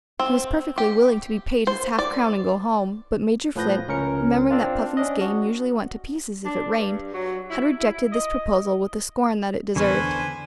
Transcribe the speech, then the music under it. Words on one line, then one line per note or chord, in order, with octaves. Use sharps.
He was perfectly willing to be paid his half-crown and go home, but Major Flint, remembering that Puffin's game usually went to pieces if it rained, had rejected this proposal with the scorn that it deserved.
C4
G4
C5
D5
A2 F3 B4 G6 A#6
C#2 C#4 A#4 C#7
C4 D4 F4
C#4 D4 D#5
F#4
D4
G2
F#3
E4
E4
D#5
E2 D3 B4 C5 G#5 C#6 F6